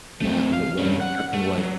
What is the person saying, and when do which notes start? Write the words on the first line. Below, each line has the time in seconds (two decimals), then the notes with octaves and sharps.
when, uh w what ended up happening was
0.21 A3 C4
0.53 F5
0.79 G3 C#4
1.01 F#5
1.34 A3
1.58 F#3